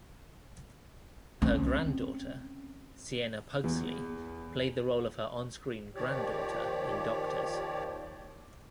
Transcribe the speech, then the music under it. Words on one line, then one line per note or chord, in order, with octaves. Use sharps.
Her granddaughter, Siena Pugsley, played the role of her on-screen granddaughter in "Doctors".
C4 C#4
E2
D#2 D#3 F3 G4 C#5 D5